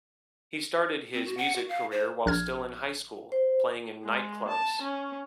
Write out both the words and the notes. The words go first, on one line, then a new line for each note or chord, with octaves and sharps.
He started his music career, while still in high school, playing in night clubs.
C4
F#4
F#5
F#4
F5
C5
A#1 F6 G#6
C5
G#3
A5
C#4